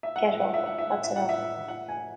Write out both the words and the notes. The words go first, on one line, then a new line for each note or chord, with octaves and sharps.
Get up — that's enough.
E5
F#5
E5
F#5
E5
F#5
E5
F#5
E5
F#5
E5
F#5
G#5